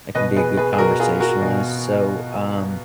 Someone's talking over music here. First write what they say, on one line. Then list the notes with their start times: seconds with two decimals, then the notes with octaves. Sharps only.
I can be a good conversationalist, so, um
0.15 B2 B4 D#5
0.36 G#4 B4
0.57 G#4 B4
0.73 G#4
0.78 B2 F#4 A#4
1.00 F4 G#4
1.20 F#4 A#4
1.42 B2